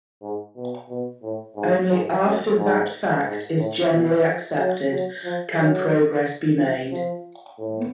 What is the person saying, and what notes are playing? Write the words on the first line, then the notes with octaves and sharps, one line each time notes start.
Only after that fact is generally accepted can progress be made.
G#2
B2
B2
A2
G#2
G#2
F#2
G#2
G#2
A2
B2
F3
F#3
F#3
F3
F#3
F3
F3
A2